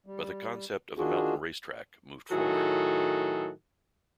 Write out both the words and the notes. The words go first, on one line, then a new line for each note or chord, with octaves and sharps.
But the concept of a "mountain race track" moved forward.
G3
D#3 D4 F4 F#4 G#4
A2 D#3 F#3 F#4 G#4 A4